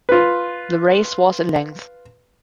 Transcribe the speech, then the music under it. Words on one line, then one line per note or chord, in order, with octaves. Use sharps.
The race was in length.
F4 B4